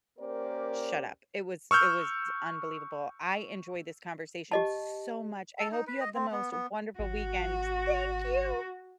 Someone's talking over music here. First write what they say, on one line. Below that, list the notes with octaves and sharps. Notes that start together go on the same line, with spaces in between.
s shut up, it was, it was unbelievable. I enjoyed this conversation so much. I hope you have the most wonderful weekend. Thank you.
A#3 C#4 G4 A#4 C5 D5
C#6 E6 F6 G6
G4 D#5 A5
A4
D#4
B4
D#5
C4
B3
B3
G#1 F#4